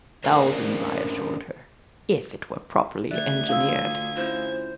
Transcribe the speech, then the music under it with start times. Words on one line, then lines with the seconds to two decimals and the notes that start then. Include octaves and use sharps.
"Thousands," I assured her, "if it were properly engineered."
0.24 C#4 D4 A#4 C5
3.11 D2 D5 E5 F#6 G#6
3.49 D4 F4 F5 D#6 E6
4.16 C#4 E4 F4 C5